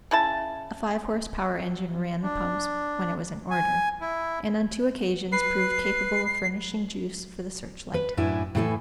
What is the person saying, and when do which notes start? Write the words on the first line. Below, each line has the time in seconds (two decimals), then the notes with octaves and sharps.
A five-horse power engine ran the pumps when it was in order, and on two occasions proved capable of furnishing juice for the search-light.
0.11 C#3 E4 A5
2.23 D4
3.51 G#5
4.01 E4
5.32 B4 C7
7.94 B4
8.17 F#2 A2 D4 E4 G#5
8.55 A2 E3 E4 A4 F#5 G#5